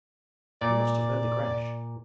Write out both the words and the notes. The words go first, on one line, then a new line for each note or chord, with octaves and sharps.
You must have heard the crash?'
A#2 D5